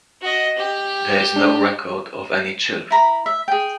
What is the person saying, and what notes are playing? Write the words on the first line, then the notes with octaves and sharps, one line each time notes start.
There is no record of any children.
F#4 D#5
G4
D4
E4 A#5 B5
E5
G#4 G5